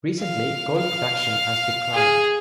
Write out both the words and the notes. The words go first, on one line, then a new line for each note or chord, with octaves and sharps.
Recently, gold production has declined.
F5
F5
G#4